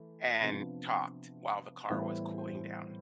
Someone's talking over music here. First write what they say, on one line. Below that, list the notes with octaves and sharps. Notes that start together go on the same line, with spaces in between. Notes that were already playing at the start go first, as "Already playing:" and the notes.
and talked while the car was cooling down.
Already playing: E3 A3
C3 F3 B3 D4
A2 E3 G3 B3 E4 C5
C5